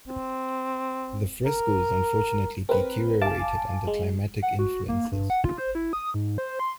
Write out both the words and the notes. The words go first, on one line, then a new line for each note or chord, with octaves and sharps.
The frescos unfortunately deteriorated under climatic influences.
C4
A#4
C4 A#4 B4
F5 G#5 A5 D6
G#3
F#5
F#4
A#3
G2
F#5
F4
C5
E4
D#6
G#2
C5
C6